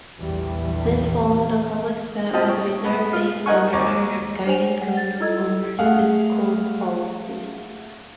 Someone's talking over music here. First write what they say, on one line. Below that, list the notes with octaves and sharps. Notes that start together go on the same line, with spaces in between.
This followed a public spat with Reserve bank Governor Gideon Gono over fiscal policies.
A#1 E2 D3 E3 G3
A#2 C4 G4 D#5 A5
C#5
B3
F4
D#4 A#4 D#5 F#5 G#5 C#6
D#2 C4 C#5 A#5 D6
D4 C5 C#5 G#5 F7
F#5
A6
E4 F4 A4 D#5 E6 G#6
A3 G#4 F5 F#5